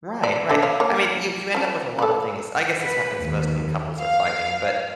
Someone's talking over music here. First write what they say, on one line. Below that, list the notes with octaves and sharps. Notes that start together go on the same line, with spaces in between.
Right, right. I mean, you, you end up with a lot of things, I guess this happens most when couples are fighting, but,
D5
D4 A4 E5
C#5 F5
A#3 C#5
F3 C#4
A4 B4
B4
D#2
F5